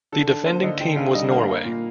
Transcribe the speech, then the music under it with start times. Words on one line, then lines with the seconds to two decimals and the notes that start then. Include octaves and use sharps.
The defending team was Norway.
0.12 D3 A4
0.29 D3 A4
0.46 A#3 C5
0.63 D3 D#5
0.80 D3 G5
0.97 D3 F5
1.14 G3 D#5
1.31 A#3 F5
1.48 A#3
1.65 A#2